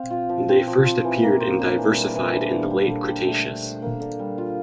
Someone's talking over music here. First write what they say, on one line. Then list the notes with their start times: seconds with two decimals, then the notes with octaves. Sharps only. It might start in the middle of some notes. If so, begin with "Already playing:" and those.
They first appeared and diversified in the Late Cretaceous.
Already playing: C4 C5 F5
0.10 F4
0.29 F3
0.49 C4
0.67 F3
0.85 F4
1.04 E3
1.23 A#3
1.40 C5
1.59 D4
1.78 E3
1.97 G3
2.15 E3
2.33 D4
2.52 D3
2.70 G3
2.89 D3
3.08 G4
3.26 A3
3.45 D4
3.64 C5
3.82 A#3
4.00 D3
4.19 G3
4.38 F4